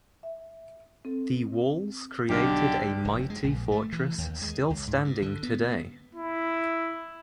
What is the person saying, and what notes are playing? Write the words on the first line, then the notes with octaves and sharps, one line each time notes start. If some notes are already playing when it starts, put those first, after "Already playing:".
The walls created a mighty fortress still standing today.
E5
C4 A4
B1 D3 D4 G4 F6
F1
G#3
A#1
A3
E3
D#2
G#3
C#2
G#2
G2
D3
B3
E4